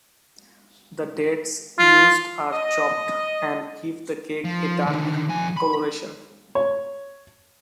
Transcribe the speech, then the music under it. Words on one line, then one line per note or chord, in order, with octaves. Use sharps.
The dates used are chopped, and give the cake a dark coloration.
F4
D#5
F3
D3 D#3
F2 G#5
B5
C#5